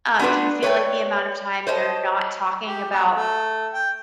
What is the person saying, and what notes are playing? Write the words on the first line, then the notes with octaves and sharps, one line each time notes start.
Um, do you feel like the amount of time you're not talking about
B3 D4 F4 F#4 B4
B4 C#5 D5 G5
C5 C#5 D#5 A5
G4
B3 G#4
A3
G5